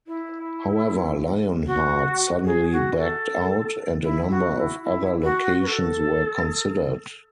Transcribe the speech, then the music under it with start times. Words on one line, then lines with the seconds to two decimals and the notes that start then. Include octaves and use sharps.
However, Lionheart suddenly backed out, and a number of other locations were considered.
0.07 E4
1.66 F#4
2.45 G#4
2.71 F#4
2.98 A4
4.03 E4
4.30 F#4
4.57 E4
4.83 E4
5.23 F#4
5.61 B4
5.66 A4